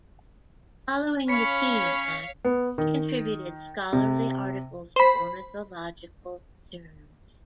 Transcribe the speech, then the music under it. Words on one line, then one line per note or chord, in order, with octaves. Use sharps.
Following the Keene Act, he contributed scholarly articles to ornithological journals.
C#4 C#5 F5 B5 B6 C#7
B3
D#3
C3
C5 B5